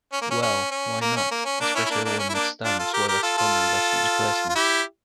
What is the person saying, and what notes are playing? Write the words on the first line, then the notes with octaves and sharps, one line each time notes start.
Well, why not, especially when it's done as well as Tummel does on Klezmer.
C#4
A#3
C#4
C#4
C#4
A#3
C#4
A#3
C#4
A#3 D4
C#4 E4
E4
A#3 D4
A#3 D4
C#4
E4
A#3 D4
D4 F4
F4 A4
G4 A#4
G4 A#4
F4 A4
F4 A4
F4
E4 G4